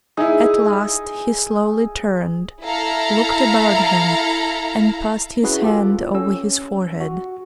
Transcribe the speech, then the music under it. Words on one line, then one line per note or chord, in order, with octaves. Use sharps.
At last he slowly turned, looked about him and passed his hand over his forehead.
D#4 E4 G#4
E4 A4 F5 A#5
C#4 E4 F#4 G#4 B4
F4 G4 A4
C#4 E6
F#4